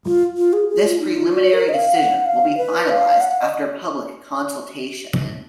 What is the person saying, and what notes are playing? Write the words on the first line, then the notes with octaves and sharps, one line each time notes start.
This preliminary decision will be finalised after public consultation.
F4
F4
G#4
G#4
F4
D#4
F4
F#4
A#4
D#5
F5
F#5
F5
B4
F5
F#5
D#5